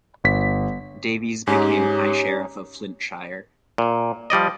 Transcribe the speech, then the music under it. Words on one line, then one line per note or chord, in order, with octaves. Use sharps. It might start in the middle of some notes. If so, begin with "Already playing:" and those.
Davies became High Sheriff of Flintshire.
G1 B6
G#2 C#4 D#4 G4
A#2
F3 G3 D5 D#5